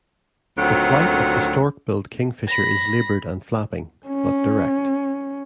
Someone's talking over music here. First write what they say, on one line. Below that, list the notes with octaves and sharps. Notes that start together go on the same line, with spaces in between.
The flight of the stork-billed kingfisher is laboured and flapping, but direct.
D2 D#3 F#3 C4 F4 F#5
B5 A#6
C#4